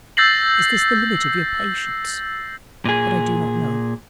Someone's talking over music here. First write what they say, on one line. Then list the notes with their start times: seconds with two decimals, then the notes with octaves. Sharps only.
"Is this the limit of your patience?" but I do not know.
0.17 E6 G6 A6 A#6 C7 F#7
2.85 A#2 G#4